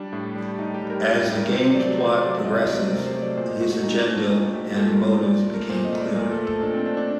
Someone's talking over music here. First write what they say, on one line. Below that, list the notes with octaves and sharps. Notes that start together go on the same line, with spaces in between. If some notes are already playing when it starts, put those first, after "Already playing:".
As the game's plot progresses, his agenda and motives become clearer.
Already playing: G3 D4
A2
G3
A2 D#4
G4
G3
A#4
A2 A#4
G3
A#4
C3 C5
C5
F#3 A3 D5
D5
C3 C5
F#3 A3 D5
C3 D#5
D#5
F#3 A3 D5
C5
C3 A#4
C5
F#3 A3
D5
A#2 C5
D#5
A3 F#4
F#4
A#2 D#4
A3 D4
A#2 D#4
A3 G4
A#2 A4
A#4
A3
C5
A#2 D5
A3
A#4
A#2 C5
D#5
A3
D5
A#2 A#4
A4
A3
A4
A#2 D4
C4
A3 D4
D4